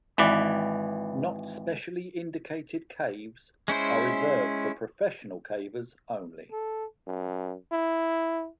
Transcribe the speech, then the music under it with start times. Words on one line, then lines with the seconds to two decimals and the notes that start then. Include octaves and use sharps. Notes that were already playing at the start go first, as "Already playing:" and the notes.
Not specially indicated caves are reserved for professional cavers only.
0.18 G#1 E3 B4 D5
3.68 G#3 C#4 E4 C5
6.52 A4
7.07 F#2
7.71 E4